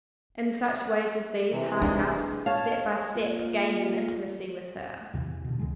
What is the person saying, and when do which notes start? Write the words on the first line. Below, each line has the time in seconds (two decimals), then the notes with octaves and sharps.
In such ways as these Harthouse, step by step, gained an intimacy with her.
1.52 C3 E3
1.82 G#3 D4
2.46 C#5 F5 A5
3.15 A#3 F4
5.14 E2 C3 D#3 E3
5.44 B2 D3
5.59 C#2 D#3 G#3